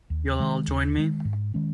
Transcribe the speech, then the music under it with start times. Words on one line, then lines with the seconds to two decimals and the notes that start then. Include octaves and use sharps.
You'll join me?
0.10 D#2
0.40 D#3 G#3
0.67 D#2
0.97 D#3 G#3
1.25 G#2
1.54 D#3 G#3 C#4